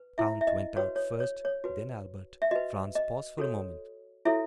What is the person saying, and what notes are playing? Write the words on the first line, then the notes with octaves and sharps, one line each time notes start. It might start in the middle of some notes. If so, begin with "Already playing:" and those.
The count went out first, then Albert. Franz paused for a moment.
Already playing: B4
E4 E5
E5
D#5
F#4 B4 C#5
C#5
C#5
C#5
F#4 B4
E5
F#4 B4 D#5
D#5
F#4 A4 C#5
E4 F#4 A4 C#5 E5